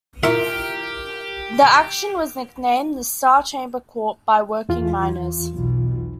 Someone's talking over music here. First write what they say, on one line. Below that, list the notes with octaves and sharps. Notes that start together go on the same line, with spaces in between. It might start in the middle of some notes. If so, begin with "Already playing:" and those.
The action was nicknamed the "star chamber court" by working miners.
E4 F4 G4 A#4 E5
E2 E3 F4
B1 B2